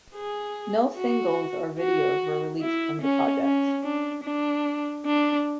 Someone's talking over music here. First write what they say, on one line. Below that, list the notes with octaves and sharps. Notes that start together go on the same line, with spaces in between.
No singles or videos were released from the project.
G#4
F#4
F#4
E4
C#4
C#4
D4
D4
D4